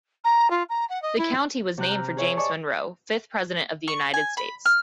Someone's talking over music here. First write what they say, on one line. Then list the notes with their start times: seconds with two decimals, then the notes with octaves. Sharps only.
The county was named for James Monroe, fifth President of the United States.
0.24 A#5
0.50 F4
0.69 A#5
0.89 F#5
1.02 D#5
1.18 E4
1.78 C3 C4 A#5 F#6 G6
1.91 F6
2.17 G#4 C#5 E5
2.37 D5 D#5 G#5 A5 C#6
3.88 C#6
4.14 G#5
4.37 B5
4.65 F6